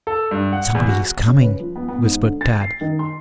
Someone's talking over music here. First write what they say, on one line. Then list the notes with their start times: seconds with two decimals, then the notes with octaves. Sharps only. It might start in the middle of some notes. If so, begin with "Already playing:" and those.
"Somebody is coming," whispered Tad.
0.07 A4
0.31 G2
0.53 F#5
0.75 E2
0.89 F#4
1.27 C#3
1.43 B4
1.60 F3
1.76 B3
1.88 B3
2.04 G#2
2.23 D3
2.41 A6
2.61 C7
2.81 D#3
2.99 C6